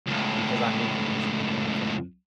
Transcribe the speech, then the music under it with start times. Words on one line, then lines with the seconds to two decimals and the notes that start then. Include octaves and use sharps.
because I'm into music and everything,
0.07 C#2 A2